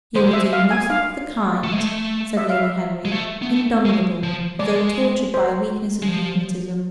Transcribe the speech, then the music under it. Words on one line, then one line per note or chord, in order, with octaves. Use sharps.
"You will do nothing of the kind," said Lady Henry, indomitable, though tortured by weakness and rheumatism.
G#3 C5
E5
F5
G#5
F5
A3
G#3
A3
E5
F5
E5
G#3
A3
B3
A3
G#3
F3
G#3 D5
C5
G#3
F3